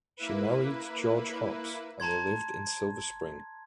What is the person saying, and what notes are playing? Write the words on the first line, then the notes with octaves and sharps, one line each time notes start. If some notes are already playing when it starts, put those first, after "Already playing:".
She married George Hopps and they lived in Silver Spring.
A#3 E4 B4
A5 A#5 C6 G#6